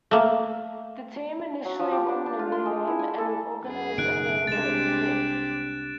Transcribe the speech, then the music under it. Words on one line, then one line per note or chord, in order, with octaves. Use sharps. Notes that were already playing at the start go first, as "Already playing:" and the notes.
The team initially wanted a new name, and organized a fan vote to pick.
A3 A#3
F#3
F3
G4
D4
D4
F4
C6
G#3
E4
G#5
A4
F#2 G#4
F#1 B2 D#3 F#6 D7
C2 G#3 C4 D4 G4 A6 E7